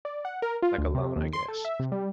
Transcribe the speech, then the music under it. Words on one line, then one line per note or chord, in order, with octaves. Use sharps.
like, alone I guess,
D5
F#5
A#4
F4
D2
C3
D#2
C6
A4
E5
C3
G3